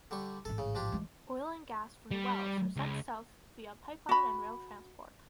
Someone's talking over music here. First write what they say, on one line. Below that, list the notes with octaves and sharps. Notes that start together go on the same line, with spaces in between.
Oil and gas from the wells are sent South via pipeline and rail transport.
D3 G3 C#6
A1 G#2 A4
C#3
F3 D4 G4
E3 G#3
G3
C#2
F#4 B5